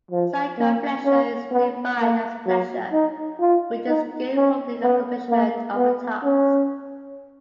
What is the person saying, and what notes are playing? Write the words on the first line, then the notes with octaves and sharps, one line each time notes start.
Psycho-pleasure is defined as pleasure which is gained from the accomplishment of a task.
F3
A#3
C#4
B3
A#3
F#3
D#4
F4
D#4
C#4
B3
A#3
B3
C#4